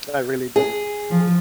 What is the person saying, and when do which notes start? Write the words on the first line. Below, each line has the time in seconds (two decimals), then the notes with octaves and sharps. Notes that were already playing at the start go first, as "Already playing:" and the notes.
I really do.
0.56 G#4
1.09 F3